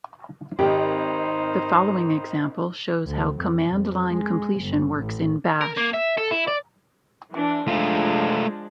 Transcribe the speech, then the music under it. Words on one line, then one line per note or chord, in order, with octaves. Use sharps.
The following example shows how command-line completion works in Bash.
G#1 D#3 D#4 G4 C5
D2
F2
F2
G#3
G1
A1
A#4
A#3
E5
A4
E4
D5
E3 D4
F3 G#3 A3 D4 F4